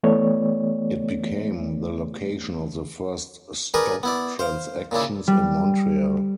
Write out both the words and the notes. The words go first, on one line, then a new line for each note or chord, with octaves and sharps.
It became the location of the first stock transactions in Montreal.
E3 A3 B3 C#5 D5
D4 G#4 A#4 B4 G#5
B3 E4 D5
C5 F5
A#2 C#3 D4 E4
G3